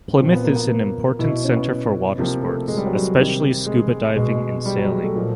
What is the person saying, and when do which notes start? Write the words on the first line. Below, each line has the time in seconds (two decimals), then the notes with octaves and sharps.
Plymouth is an important centre for watersports, especially scuba diving and sailing.
0.20 A#2 F3 C4
0.33 B3
0.44 A#3
0.56 B3
1.19 B2 E4
1.44 C#4
1.56 B3
2.18 C3 F3 A#3
2.43 A3
2.68 G#3
2.77 G3
2.86 F#3
2.95 G3
3.17 C3 D#3
3.67 G#3
4.16 B2 G#3
4.66 G3
4.78 F#3
4.91 G#3
5.03 A3
5.15 A#2 F3